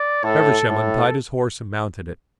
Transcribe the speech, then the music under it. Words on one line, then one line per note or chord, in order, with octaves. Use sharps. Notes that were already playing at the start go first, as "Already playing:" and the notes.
Feversham untied his horse and mounted it.
Already playing: D5
A2 A4
A2 A4